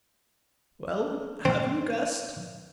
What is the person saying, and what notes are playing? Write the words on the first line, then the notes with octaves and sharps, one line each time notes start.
"Well, have you guessed?"
C4